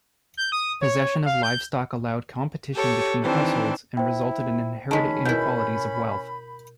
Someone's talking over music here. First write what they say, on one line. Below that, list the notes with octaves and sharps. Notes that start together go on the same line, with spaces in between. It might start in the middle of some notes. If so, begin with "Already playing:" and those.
Possession of livestock allowed competition between households and resulted in inherited inequalities of wealth.
G6
D#6
C#5
F5
G6
G4 A4 C#5
D#3 E3 C4 D4
E4 C5 G5
D#3 G#3 C#4 A5 B5 B6
B2 E4 A#4 G6